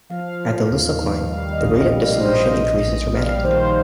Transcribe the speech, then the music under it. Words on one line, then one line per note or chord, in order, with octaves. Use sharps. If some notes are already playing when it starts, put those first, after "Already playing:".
At the lysocline, the rate of dissolution increases dramatically.
F3 F5
F3
D#2
D#3
G3 F5
D#5
A#1
D#5
G3 F5
D#5
A#1 C5
D#5
A#1
A#1
G3 F5
D#3 C5